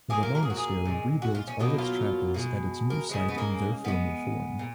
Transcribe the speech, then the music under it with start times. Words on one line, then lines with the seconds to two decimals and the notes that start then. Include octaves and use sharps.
The monastery rebuilt all its chapels at its new site in their former form.
0.10 A#2 F#3 A#3 G#4
0.23 A#4
0.35 A#4
0.43 G#4
0.50 F#4
0.57 G#4
0.85 A#2 G#3
1.22 F#4
1.35 F4
1.48 C#4
1.60 B2 F#3 A#3 D#4
1.78 F4
2.34 B2 G#3
2.90 A#4
3.09 C#3 F3 G#3
3.28 B3
3.38 A#3
3.84 D#3 G#3 B3
4.59 A#2